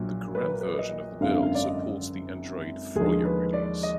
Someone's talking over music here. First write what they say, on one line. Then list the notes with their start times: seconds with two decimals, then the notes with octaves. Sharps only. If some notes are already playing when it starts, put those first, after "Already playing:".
The current version of the build supports the Android Froyo release.
Already playing: A#1 A#2 F#3
0.35 B4
0.48 A#4
0.61 B4
0.78 D#5
1.21 G#1 F#2 D3 F5
1.43 F5
1.55 D5
1.65 D#5
2.96 D#2 D3 F3 G#3 G#4
3.25 B4
3.53 D5
3.83 D#5